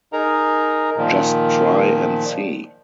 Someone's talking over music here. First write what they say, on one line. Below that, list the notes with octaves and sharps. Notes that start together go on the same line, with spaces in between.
Just try and see.
D#4 G#4 A#4 A#5
A#2 D#3 F3